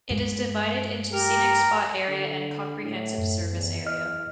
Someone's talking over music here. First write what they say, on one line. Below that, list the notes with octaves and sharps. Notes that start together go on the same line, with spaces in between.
It is divided into Scenic Spot Area and Comprehensive Service Area.
G2 G#3
G4 A#4 A#5
D3
A2
F#2
E2
D#5 F6